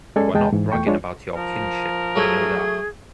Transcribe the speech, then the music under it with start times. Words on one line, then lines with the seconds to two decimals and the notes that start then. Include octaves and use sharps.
You are not bragging about your kinship, I know that...
0.16 G#3 C#4 A4 D5 G#5
0.34 E2 G#3 G5 A5
0.52 G#2 E3
0.72 E2 A3 G5 C#6
0.87 G#3 D4 F4 C#5
1.36 F3 A#4
2.16 F#3 A3 G#4